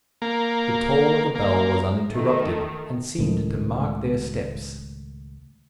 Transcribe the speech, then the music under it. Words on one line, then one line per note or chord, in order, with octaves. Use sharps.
The toll of the bell was uninterrupted, and seemed to mark their steps.
A#3
A#3
D#3 A3
C#2 A2 D#3